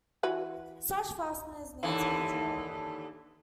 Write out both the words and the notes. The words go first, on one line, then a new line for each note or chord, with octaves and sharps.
Such fasteners need to be drilled.
E3 F#4 B4
D#2 D3 E3